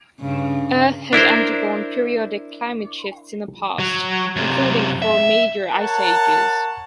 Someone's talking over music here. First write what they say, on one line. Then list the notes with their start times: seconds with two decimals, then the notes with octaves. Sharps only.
Earth has undergone periodic climate shifts in the past, including four major ice ages.
0.20 G2 C#3
1.13 D4 E4 A#4 C5
3.79 F#3
4.36 F#2 C3
5.02 E5
5.75 A#4 C#5 F#5 A5